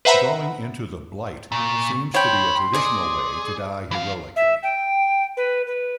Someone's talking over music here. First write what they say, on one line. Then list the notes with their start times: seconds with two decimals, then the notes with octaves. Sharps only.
Going into the Blight seems to be a traditional way to die heroically.
0.05 B4 C5 E5 F#5 A#5 B5
1.52 A#2 C#6
2.14 C#5 F5 G5 B5 C6
2.74 G#4 D5 D#5
3.91 E3 F5
4.36 E5
4.63 G5
5.37 B4
5.67 B4